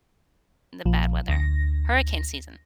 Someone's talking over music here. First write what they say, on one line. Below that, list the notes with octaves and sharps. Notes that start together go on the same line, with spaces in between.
the bad weather hurricane season.
A#1 F3
D2 A#6